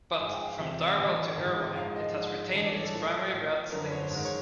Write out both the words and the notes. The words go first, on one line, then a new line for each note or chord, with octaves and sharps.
But, from Darvel to Irvine, it has retained its primary route status.
G#2 F3 G#5
G5
F5
E2 C3 F3 E5
D5
A2 E3 D#5
G#2 E3
G#2 F3 F5
D#5
G#2 F3
G2 E3 D#5
D5
C#5
A4
A2 F3
A2 F3
F#2 D3 F3 A#4
B4
C#5
C5
G#2 D#3
C#5